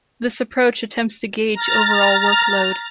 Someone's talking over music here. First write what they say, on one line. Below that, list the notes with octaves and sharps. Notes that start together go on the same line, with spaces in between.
This approach attempts to gauge overall workload.
A#5 F6 A6